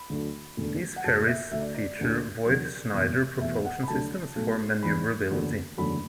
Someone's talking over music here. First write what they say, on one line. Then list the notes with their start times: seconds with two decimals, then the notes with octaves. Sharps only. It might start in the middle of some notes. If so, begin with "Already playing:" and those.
These ferries feature Voith-Schneider propulsion systems for manoeuvrability.
Already playing: B5
0.10 D2 D3 F#3 A3
0.57 E1 D2 D3 A3
0.96 F#5
1.04 F#1 F#2 F#3 A3 A5
1.28 E5
1.51 D2 D3 A3 E5
1.59 D5
1.75 D5
1.99 D2 D3 A3
2.46 E2 D3 F#3
2.94 F#1 E2 B2
3.41 E2 B2 A3 E5
3.65 F#5
3.83 B5
3.88 D2 D3 F#3 A3 A5
4.35 B1 A2 A3
4.83 F#1 E2 E3 B5
5.31 F#1 E2 D3 F#3 A3
5.77 F#1 E2 D3 F#3 A3 B5